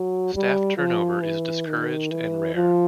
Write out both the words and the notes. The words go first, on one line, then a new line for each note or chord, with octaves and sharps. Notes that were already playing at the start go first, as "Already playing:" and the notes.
Staff turnover is discouraged and rare.
Already playing: F#3
G3
F3
E3
D#3
E3
F3